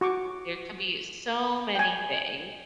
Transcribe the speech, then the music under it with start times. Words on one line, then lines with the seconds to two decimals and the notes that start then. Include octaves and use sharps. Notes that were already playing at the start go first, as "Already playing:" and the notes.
There could be so many things
0.01 F#4 C#6 D6
1.75 G5 G#5